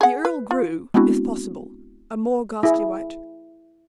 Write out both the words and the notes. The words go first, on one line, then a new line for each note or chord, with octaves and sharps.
The earl grew, if possible, a more ghastly white.
G#4 F#5
B4
F4
G#3 B3 C4 D4 E4 F#4
E4 G#4